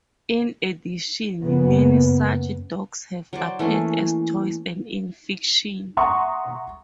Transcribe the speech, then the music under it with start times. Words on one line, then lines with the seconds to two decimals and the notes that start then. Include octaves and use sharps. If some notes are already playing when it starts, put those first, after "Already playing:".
In addition, many such "dogs" have appeared as toys and in fiction.
1.43 F#2 C#3 A#3 B3
3.33 F#3 C5 D5
3.59 E3 A3 A#3 C#4
5.97 E5 F#5 A#5 C6 C#6 D#6